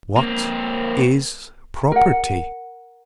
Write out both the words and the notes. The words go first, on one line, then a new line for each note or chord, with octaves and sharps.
What is property?
A#3 C4
A#4 F#5